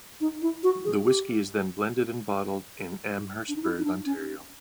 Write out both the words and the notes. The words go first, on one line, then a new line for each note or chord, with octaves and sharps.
The whisky is then blended and bottled in Amherstburg, Ontario.
D#4
E4
F#4
G#4
G4
D4
D#4
E4
D#4
D4
C#4